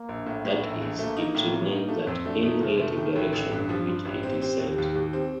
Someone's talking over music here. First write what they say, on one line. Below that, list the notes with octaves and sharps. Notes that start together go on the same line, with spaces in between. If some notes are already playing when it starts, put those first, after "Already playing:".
That is, it remains at any "relative" direction to which it is set.
Already playing: A#3
A#1
A2
A2
A#1
A#1
A3 A#3
D#4
A2
A2
D#4
A3
F2 C4
A3 D4
A3 D#4
F1 F4
A3 F4
G4
D#3
A1 A4
A1
G2
F3 G4
G2 F4
A1 G4
C4 G4
C4
D#2
D#2
D#2
C4